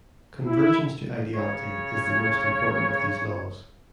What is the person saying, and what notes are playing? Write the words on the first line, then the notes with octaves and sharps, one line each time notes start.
Convergence to ideality is the most important of these laws.
E4
C#3 C#5